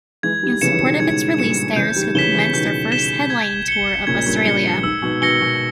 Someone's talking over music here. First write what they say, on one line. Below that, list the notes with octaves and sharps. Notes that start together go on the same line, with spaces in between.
In support of its release Gyroscope commenced their first headlining tour of Australia.
E3 G#3 G#6
D#3 G3
C#3 E3 C#7 E7
E3
B2 D#3
G#2 G#6
G2 A#2 C#7 E7
C#3 E3 G6
D#3 G3
C#3 E3 B6 E7 G7
C#3 E3
B2 D#3 G6
B6 E7 G7
G#6
C#7 G7
A#2 C#3 G#6
G2 A#2
G2 C#7 G7
G2
G2
G#2 E6
G#2 B2
B2 D#3 A#6 C#7 G7
B2 D#3